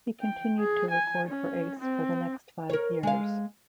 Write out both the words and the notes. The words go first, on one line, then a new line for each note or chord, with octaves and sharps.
He continued to record for Ace for the next five years.
G5
G#4
G#5
C#4
C4
A#4 C#5
G#3 F5